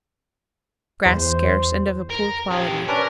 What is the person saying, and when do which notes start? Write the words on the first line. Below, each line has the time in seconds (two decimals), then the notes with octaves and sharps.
Grass scarce and of a poor quality.
1.06 E2 C5
2.10 A#4
2.51 C#4 G4
2.88 C#4 D4 A#4 B4